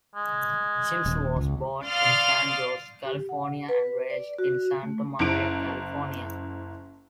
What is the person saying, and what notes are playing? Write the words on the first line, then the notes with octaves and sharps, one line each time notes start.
Shimizu was born in San Jose, California and raised in Santa Maria, California.
G#3
D#1
C#2
D5 F5 C6 D#6 F6 A6
G4
F#5
B4
D5
F#4
A3
F#1 E4 D7